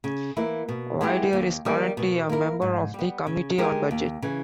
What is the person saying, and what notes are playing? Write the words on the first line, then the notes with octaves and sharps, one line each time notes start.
Vaidere is currently a member of the Committee on Budgets.
C#3
E3 A#3 E4
B2
G#3 B3 E4 G4
D#2
D#3 G3 A#3
B2
A#3 E4 A#4
G#2
G3 B3
C#3
G#3 D#4 G4 A#4
D#2
C#3 E3